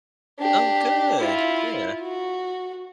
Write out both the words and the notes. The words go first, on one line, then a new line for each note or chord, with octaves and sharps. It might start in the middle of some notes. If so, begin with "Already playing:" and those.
Oh, good. Yeah.
D4 G4
E4 F4
F#4